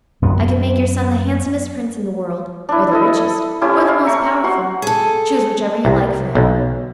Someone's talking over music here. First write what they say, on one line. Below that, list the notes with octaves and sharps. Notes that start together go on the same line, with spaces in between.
"I can make your son the handsomest prince in the world, or the richest, or the most powerful; choose whichever you like for him."
F#2 B3
D4 E4
E4 A4 D#5
C#4 E4 G4 A5
F5
E5 A#5 C#6 D6
F#4 F#5 C6 C#6
G#4 A4
C2
B1